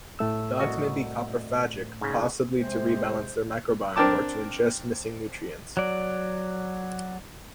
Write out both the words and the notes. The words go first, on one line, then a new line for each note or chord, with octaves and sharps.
Dogs may be coprophagic, possibly to rebalance their microbiome or to ingest missing nutrients.
A2 A3 E6
C2 F#4 D#5
G#2 C#3
C3 G#3 C5
C4 D4 A#4 G5 A5 D6
F#3 D5